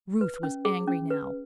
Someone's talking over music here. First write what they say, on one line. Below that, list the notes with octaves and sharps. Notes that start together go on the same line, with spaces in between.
Ruth was angry now.
B4
C#4
G#4
C#4
B4